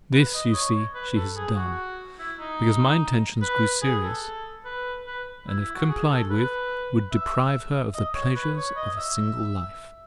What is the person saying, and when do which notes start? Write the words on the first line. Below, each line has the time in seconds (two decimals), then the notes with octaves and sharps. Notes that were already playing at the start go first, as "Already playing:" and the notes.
This, you see, she has done, because my intentions grew serious, and if complied with, would deprive her of THE PLEASURES OF A SINGLE LIFE!
0.13 B4
0.34 D#5
0.53 C#5
0.95 B4
1.16 A4
1.36 G#4
1.56 F#4
2.19 E4
2.39 D#4
3.42 B4
3.82 G#4
4.03 A4
4.65 B4
5.07 B4
5.48 E4
5.61 E4
5.75 F#4
5.89 G#4
6.09 A4
6.30 B4
7.12 E5
7.94 D#5
8.14 C#5
8.35 B4
8.56 C#5
8.76 D#5
8.97 E5